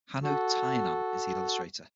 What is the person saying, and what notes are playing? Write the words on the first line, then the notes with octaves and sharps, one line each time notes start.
Hannu Tainan is the illustrator.
F#4 A4